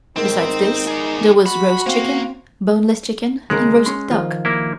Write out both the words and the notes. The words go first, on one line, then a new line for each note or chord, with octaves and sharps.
Besides this there was roast chicken, boneless chicken and roast duck.
G#2 D#3 C4 D#4 D#6
G#4 D5
F#4 B5
A#3 C4 F5
D#2 C#3 G#3 A#4
C#4 C6
D#3 F3 F4
A#3 E4